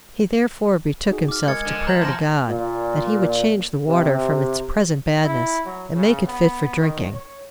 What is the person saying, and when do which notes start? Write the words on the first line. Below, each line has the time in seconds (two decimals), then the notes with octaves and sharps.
He therefore betook himself to prayer to God, that he would change the water from its present badness, and make it fit for drinking.
1.11 D#4 F#4 G#4
1.28 D6 F6
1.48 G#3 A#4 G#6 A6 C#7
1.65 D3 F3
1.87 C5 A#5 G6 F#7
2.01 E3 F#4 C5 A5 A#6
2.47 A#2
3.86 C3
5.25 E4
5.65 F#3
5.95 C#3
6.27 B3
6.81 D#3
7.14 C#5